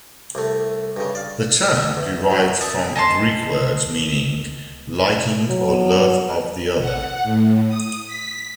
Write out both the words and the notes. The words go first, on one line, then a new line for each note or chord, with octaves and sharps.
The term derived from Greek words meaning "liking or love of the other".
C2 A3
G2 C#3
D5 F5
E2
B2 F#3
D5 E5 A5 C#6 D#6
D#5 G#5 A5 C6
F#3
F#5
A2
D#6
B6